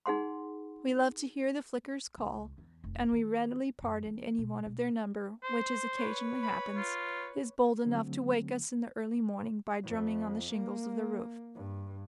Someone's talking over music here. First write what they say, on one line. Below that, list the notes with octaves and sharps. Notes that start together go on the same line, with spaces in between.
We love to hear the flickers call, and we readily pardon any one of their number which, as occasionally happens, is bold enough to wake us in the early morning by drumming on the shingles of the roof.
D#4 G#4 F#5 C6
C#2
E2
F1
D#3
F#2
E3
B2
B2
C5
B4 C#5
B5
F4
D3 F#3 A3 C4
F2
A#3
G2